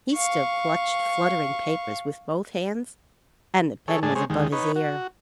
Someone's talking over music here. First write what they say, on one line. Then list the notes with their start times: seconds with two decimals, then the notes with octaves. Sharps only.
He still clutched fluttering papers with both hands and the pen was above his ear.
0.15 F5 C#6
3.88 G#4 A4 C#5
4.03 A2 G#3 D4 G#4 A5
4.16 G#3 G#4 C5 C#5
4.30 D#2 D#3 G#3
4.52 D#4 B4 C#5
4.76 F#4